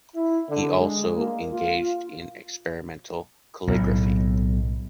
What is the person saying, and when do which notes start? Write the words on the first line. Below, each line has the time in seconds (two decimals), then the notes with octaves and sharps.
He also engaged in experimental calligraphy.
0.14 E4
0.49 D3
0.79 G#3
1.16 A#3
1.52 F4
3.67 B1 A2